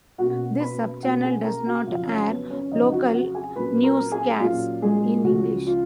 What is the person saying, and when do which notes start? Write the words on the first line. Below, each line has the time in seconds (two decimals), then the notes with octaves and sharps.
This subchannel does not air local newscasts in english.
0.18 B2 A#3 C#4 F#4 F#5
0.60 B4 B5
1.03 B2 A#3 C#4 F#4 F#5
1.23 G#4 G#5
1.45 A#4 A#5
1.66 F#4 F#5
1.87 F2 C#3 F#3 C#4 F4 F5
2.08 C#4 C#5
2.29 B3 B4
2.50 C#4 C#5
2.71 F2 C#3 F#3 C#4 D#4 D#5
2.92 F#4 F#5
3.13 F#4 F#5
3.35 G#4 G#5
3.56 A#2 F#3 A#3 C#4 B4 B5
3.83 A#4 A#5
4.12 G#4 G#5
4.40 A#2 F#3 A#3 C#4 F4 F5
4.82 G#3 G#4
5.24 C#2 C#3 F3 F#4
5.67 F4